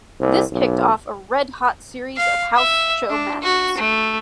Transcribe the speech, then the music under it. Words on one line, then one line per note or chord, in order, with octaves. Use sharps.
This kicked off a red hot series of house show matches.
C2
B1
F5
E5
D4
F#4
A3